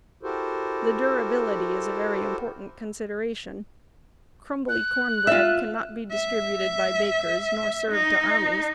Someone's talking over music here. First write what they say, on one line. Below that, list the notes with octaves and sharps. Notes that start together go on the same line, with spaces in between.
The durability is a very important consideration; crumbly corn bread cannot be distributed by bakers nor served to armies.
E4 F#4 G4 A4 A#4 C5
F#6
F4 E5
E5
D#4